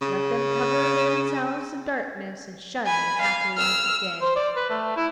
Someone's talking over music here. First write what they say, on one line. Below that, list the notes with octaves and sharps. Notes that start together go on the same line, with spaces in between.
Let them cover themselves in darkness and shun the happy light of day.
C#3
G#5 B5
F5
E6 F6
C5
D5
B4
A3
E4